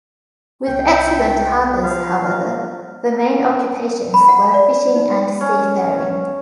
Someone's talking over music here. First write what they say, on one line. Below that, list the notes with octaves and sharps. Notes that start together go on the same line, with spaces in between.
With excellent harbors, however, the main occupations were fishing and seafaring.
C2 G5
F3 C5 F5
B5
F#5
D5
D#4
C#4